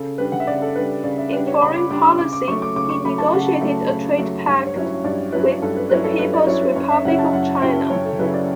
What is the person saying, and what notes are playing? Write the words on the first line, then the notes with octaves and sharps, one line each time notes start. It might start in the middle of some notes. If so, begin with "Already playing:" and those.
In foreign policy, he negotiated a trade pact with the People's Republic of China.
Already playing: C#3 A4
G3 D4 B4
F#5
E5
C#3 D5
A4
G3 D4 B4
C#3 D5
E5
G3 D4 B4
C#5
C#3 B5
D6
G3 D4 D6
E6
C#3 D6
D6
F#3 A3 C#6
D6
C#3 D6
C#6
F#3 A3 B5
A5
C#3 F#5
F#3 A3
C#3
F#3 A3
G2
C#5
F#3 C#4 E4
C#5
G2 D5
F#3 C#4 E4 B4
G2 A4
B4
F#3 C#4 E4 B4
A4
G2 B4
D5
F#3 C#4 E4 C#5
B4
F#2 C#5
E5
C#3 F#3 C#4 E4 F#5
A5
F#2 F#5
C#3 F#3 C#4 E4 G5
F#2 C#5
A4
C#3 F#3 C#4 E4 B4
D5